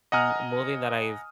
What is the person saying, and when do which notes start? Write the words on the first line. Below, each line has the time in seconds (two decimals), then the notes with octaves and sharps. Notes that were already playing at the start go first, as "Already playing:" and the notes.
m movie that I've
0.12 D#5 F#5 G#5 A#5 D#6 F6